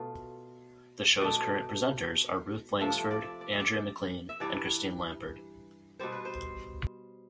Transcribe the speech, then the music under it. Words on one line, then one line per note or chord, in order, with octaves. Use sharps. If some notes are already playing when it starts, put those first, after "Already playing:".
The show's current presenters are Ruth Langsford, Andrea McLean, and Christine Lampard.
Already playing: B2 A3 F4
B2 A3 D5
C3 F3 A3 E5
D5
E5
D5
E5
D5
E5
G2 E3 G3 D5
B2 G3 C5
B4
C5